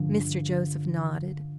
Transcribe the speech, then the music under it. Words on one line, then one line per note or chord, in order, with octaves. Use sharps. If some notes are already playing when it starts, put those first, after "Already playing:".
Mr. Joseph nodded.
Already playing: G2 D3 F3